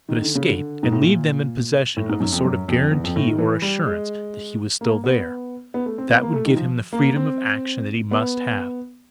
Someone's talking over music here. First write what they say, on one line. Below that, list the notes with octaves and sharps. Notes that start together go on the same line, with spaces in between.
But escape--and leave them in possession of a sort of guarantee or assurance that he was still there! That would give him the freedom of action that he must have.
D#3
D3
C#3
D3
G#2
A2
A#2
A2
G#2
F#2
F2
F#2
F2
E2
F2
A2
D#3
E3
G3
G#3
A#3
B3
B3
A3
C4
B3
A#3
A3
D#3
F3
A#3
C4
B3